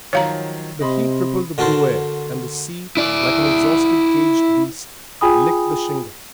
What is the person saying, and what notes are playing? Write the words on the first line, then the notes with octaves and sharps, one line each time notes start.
The heat rippled the blue air, and the sea, like an exhausted caged beast, licked the shingle.
D#3 F3 F#3 C#5 F5 A#5
C3 D#5 B5 C6
D3 F#4 A4 A#4 C5
E4 D5
F4 G#4 G5 G#5 B5 D#6